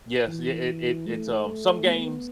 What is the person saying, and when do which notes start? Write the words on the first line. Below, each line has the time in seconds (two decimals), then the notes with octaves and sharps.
Yes, yeah, it it it's, um some games
0.28 E3
1.07 A3
1.86 B3